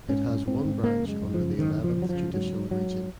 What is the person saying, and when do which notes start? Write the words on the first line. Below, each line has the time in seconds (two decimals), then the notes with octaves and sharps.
It has one branch under the Eleventh Judicial Region.
0.09 G#2 C#4
0.28 G#2
0.47 G#2 C4
0.65 G#2
0.84 C#3 A#3
1.03 F#2
1.09 G#3
1.22 F#2
1.34 F3
1.40 C#3
1.59 F#2 D#3
1.78 C#3
1.84 F3
1.97 F#2 F#3
2.09 F3
2.15 C#3
2.34 G#2 F#3
2.53 G#2
2.71 G#2 F#3
2.91 G#2